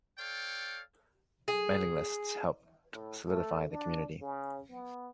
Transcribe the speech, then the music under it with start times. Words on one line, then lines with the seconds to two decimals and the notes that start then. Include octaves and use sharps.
Mailing lists helped solidify the community.
0.18 A4 C#5 D5 F5 G5
1.48 G#4
2.93 A2
3.27 A3
3.70 D4
4.21 C#3
4.69 B3